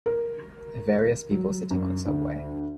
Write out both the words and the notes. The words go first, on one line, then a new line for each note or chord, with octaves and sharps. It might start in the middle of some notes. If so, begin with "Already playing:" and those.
Various people sitting on a subway.
A#4
F#3
F#2
D2